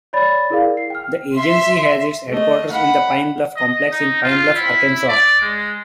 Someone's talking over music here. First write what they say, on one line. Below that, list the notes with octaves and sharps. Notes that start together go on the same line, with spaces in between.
The agency has its headquarters in the Pine Bluff Complex in Pine Bluff, Arkansas.
C#5 D5 B5 A6
E4 G#4 A#4 D5 F5
C7
G5 F6
E5 C6
A3 D#5
F#5 B5
D#5
D#4
F4
E4
D5
G#3